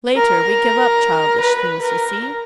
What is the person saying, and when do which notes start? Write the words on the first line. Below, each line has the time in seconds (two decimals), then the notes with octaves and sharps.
Later we give up childish things, you see.
0.16 A#4
1.41 B4
1.81 A#4